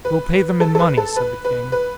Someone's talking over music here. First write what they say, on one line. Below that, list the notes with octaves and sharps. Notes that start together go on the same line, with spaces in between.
We'll pay them in money--said the king.
B4
A4
A4
B4
A4
B4
B4
B4